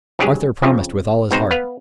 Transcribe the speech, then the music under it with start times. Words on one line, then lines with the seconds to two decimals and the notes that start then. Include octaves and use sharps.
Arthur promised with all his heart.
0.19 C2 G2 F#3 G#3 G4 G#4
0.62 F2 C#3 F3
1.31 G#2 B2 G#3 C4 D#4 C5
1.51 B3 B4 F5